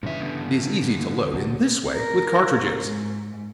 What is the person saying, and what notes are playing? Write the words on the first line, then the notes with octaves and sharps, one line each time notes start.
It is easy to load in this way with cartridges.
G2 A#2 C#3 E3 E5
D3 B3
C2 F#3
A#4
G#2